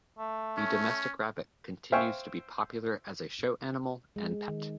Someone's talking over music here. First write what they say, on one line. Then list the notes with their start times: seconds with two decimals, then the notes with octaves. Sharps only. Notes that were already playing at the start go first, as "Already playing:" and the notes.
The domestic rabbit continues to be popular as a show animal and pet.
0.19 A3
0.57 C#4
1.92 C5 E5 F5 G5 G#5 C#6
4.16 G#3
4.48 D#3